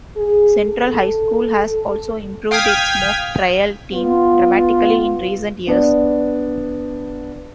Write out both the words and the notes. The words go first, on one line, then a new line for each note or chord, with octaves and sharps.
Central High School has also improved its Mock Trial team dramatically in recent years.
G#4
A4
F5 G5 D#6 F6 G#6 B6
B3 F4
B3 D4 D5